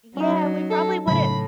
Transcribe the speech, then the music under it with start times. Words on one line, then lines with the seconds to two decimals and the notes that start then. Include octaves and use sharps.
Yeah, we probably wouldn't
0.17 F#3 C#4 D#4
0.70 A4
1.08 A2 C#3 F#3 B5